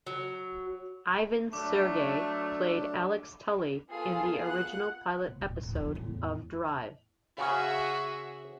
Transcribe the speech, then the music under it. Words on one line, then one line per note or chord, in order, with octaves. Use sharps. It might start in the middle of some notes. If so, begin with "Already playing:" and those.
Ivan Sergei played Alex Tully in the original pilot episode of "Drive".
F#3
F#3 A3 D4 D6
B3 F4 G#4 A4
F#5 F#6
B2
D1
D1
E2 F#3
E2 A2
C#3 C#4 F#4 G#4 E5